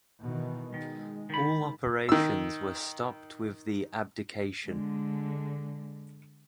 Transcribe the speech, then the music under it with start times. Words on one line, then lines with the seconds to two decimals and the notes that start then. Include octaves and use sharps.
All operations were stopped with the abdication.
0.21 B2 D#3 E3
0.74 D#3 G#3
1.30 D#3 B5
2.09 D#3 E6
4.67 D3 G#3